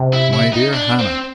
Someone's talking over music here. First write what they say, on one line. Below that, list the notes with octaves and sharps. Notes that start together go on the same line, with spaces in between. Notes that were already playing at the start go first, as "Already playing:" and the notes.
"My dear Hannah!"
Already playing: C3
E4
E4
D#4
D4
C4